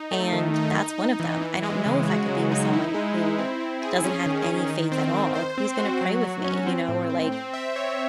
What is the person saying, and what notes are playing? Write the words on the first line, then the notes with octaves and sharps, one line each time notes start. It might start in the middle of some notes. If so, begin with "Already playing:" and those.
and, that's one of them. I don't know if I could be with someone who doesn't have any faith at all, like, who's gonna pray with me, you know, or, like,
Already playing: D#4
A3
D#3
D#4
D#4
D#4
E3
E3
G#3
C#3
F#4
F#3
D#4
E4
G#3
E4
C4
C4
G#4
C#4
D#3
D#3
D#3
C4
D#3
C5
C4
F#4
F#3
F#3
C#4
C4
A2
C4
C4
E5
C#5